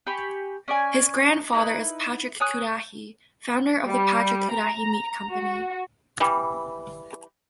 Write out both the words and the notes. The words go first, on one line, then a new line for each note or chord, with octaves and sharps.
His grandfather is Patrick Cudahy, founder of the Patrick Cudahy meat company.
G4 G#5 B5 C#6
C#4 D5 G#5
D#4 E4 B4
C#5 G#5 D#6 F#6
G3
A#5
F#4
E3 G3